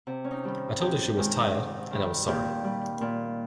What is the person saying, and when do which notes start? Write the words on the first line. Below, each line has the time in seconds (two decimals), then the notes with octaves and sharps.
I told her she was tired, and I was sorry.
0.07 C3
0.24 C#4
0.31 D#4
0.44 D#3 G3
0.80 F2 G4
1.17 D#3 G#3
1.54 G#2
1.91 D#3 G3
2.27 A#2 G4
2.64 G3
3.01 A#2